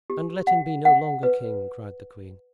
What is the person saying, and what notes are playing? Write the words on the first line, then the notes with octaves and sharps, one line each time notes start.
"And let him be no longer king," cried the queen.
G4
F#5
F#5
B4